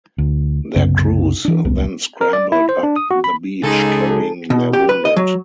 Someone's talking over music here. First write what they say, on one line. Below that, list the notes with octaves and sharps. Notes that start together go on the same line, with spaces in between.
Their crews then scrambled up the beach carrying their wounded.
D2
C2 F#2 C#3 B3
E3 D4
D#1 C2 B3
A#4
D5
E4
C5
D4
D#6
F#4
B5
C#2 D#4 G#4 A4
B2
G4
B4
D#5
F#3